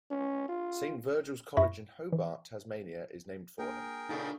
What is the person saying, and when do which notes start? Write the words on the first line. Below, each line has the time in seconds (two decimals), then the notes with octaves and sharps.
Saint Virgil's College in Hobart, Tasmania is named for him.
0.10 C#4
0.48 F4
1.57 F#2 E4 E5 B5 C#6 A#6
2.13 E3
3.59 A#3 D4 G#4 A#4 G5
4.09 A#2 C#3 D4 D#4 A4